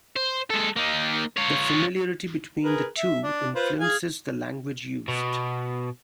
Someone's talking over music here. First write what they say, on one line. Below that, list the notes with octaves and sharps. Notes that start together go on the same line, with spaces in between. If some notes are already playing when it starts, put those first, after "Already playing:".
The familiarity between the two influences the language used.
C5
G#3 A4
A#3 D#4
F4 C#5
G#4 A#4 B4
E5
D4
F4 B4 C5
G#4 F5 G#5
B2